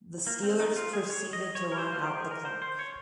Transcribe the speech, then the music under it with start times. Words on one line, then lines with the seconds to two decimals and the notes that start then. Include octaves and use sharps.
The Steelers proceeded to run out the clock.
0.27 A#3
0.43 C4
0.60 D#4
0.76 F4
0.93 G#4
1.10 C#5
1.33 D#5
1.55 C#5
1.72 A#4
1.78 C5
1.92 F4
2.05 G4
2.18 G#4
2.31 A#4
2.45 C5
2.62 C5
2.79 C#5